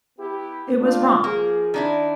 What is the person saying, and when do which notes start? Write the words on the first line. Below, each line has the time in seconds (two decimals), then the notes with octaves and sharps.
It was wrong.
0.18 B3 E4 G4
0.81 D4 F4
1.24 F3 A#3 G#4
1.74 D#3 D4 E4